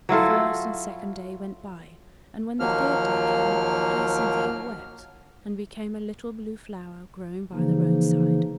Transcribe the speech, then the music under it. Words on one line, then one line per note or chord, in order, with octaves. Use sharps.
The first and second day went by; and when the third day came, Hyacinthia wept, and became a little blue flower growing by the roadside.
F#3 E4 F4 A4
D#2 F3 F#3 A#3 F6
C#3 E3 F3 A#3 D#4